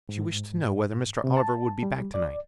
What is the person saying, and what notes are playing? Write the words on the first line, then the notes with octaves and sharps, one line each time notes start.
"She wished to know whether Mr. Oliver would be back to-night."
G#2
C3
A5
G3
D5